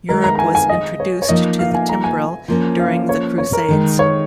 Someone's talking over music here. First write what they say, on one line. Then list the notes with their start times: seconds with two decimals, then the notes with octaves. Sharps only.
Europe was introduced to the timbrel during the crusades.
0.09 D#3 G#3 D#4 A#4
0.24 A#5
0.35 A#5
0.39 G#5
0.55 G#5
0.69 D#5
1.00 C#5
1.22 C#5
1.29 F3 A#3 D#4 D#5
1.59 F5
1.70 F5
1.75 G#5
1.89 A#5
2.04 G#5
2.48 F3 A#3 C#4
2.79 F5
3.09 C#5
3.38 C#5
3.53 A#4
3.69 D#3 G#3 D#4
3.99 C#5